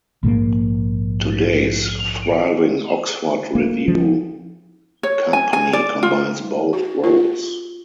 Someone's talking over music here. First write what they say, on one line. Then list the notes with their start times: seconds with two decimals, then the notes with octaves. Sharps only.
Today's thriving Oxford Revue company combines both roles.
0.23 A#1 G#2 F3 A#3
3.55 A#3
3.88 F3
5.03 C#5
5.33 G#5
5.53 G#5
5.73 D5
6.03 F4
6.73 F#4
7.04 F4